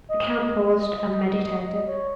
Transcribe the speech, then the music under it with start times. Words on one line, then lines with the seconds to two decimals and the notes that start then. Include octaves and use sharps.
The count paused and meditated.
0.09 D#5
1.87 C#5